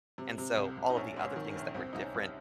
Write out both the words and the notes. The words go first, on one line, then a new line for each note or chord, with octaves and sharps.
and so all of the other things that were different
C3
C3
C2
C2
D#4
A#1 C#4
G#2
C#4
D#3
C#4
A#1
C2 C4
C2 D#4
C#4
C2